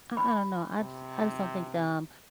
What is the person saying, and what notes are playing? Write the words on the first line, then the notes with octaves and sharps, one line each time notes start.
I I don't know, I just I just don't think that, um,
B5
C3